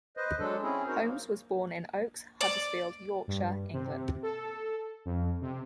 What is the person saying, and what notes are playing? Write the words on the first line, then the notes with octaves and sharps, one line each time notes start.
Holmes was born in Oakes, Huddersfield, Yorkshire, England.
B4 C5 D#5
F#3 G#3 D4 A4
C4 C#4 E4 G#4
D#4 F#4 A#4 C5
F#3 A#3
D5
G2
C3
A4
F2
C3